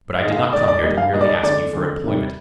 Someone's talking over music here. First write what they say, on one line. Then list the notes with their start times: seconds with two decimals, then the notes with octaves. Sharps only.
But I did not come here to merely ask you for employment.
0.22 G#2 D#3 G#3 D#5
0.31 F5
0.37 D#5
0.52 G#2 D#3 G#3 D5
0.60 D#5
0.68 D5
0.82 A#2 G3 D#5
0.97 F5
1.13 A#2 G3 D#5
1.21 D5
1.29 D#5
1.43 F2 D3 G#3 D5
1.73 F2 D3 G#3
2.04 C3 D#3 G3